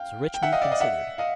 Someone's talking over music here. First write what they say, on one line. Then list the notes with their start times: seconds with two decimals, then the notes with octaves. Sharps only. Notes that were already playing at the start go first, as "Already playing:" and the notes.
Sir Richmond considered.
Already playing: F5 G5
0.34 G5
0.43 E5 F#5
0.52 D#5 F5
0.62 D5 E5
0.72 D#5 F5
0.80 E5 F#5
1.18 D#5 F5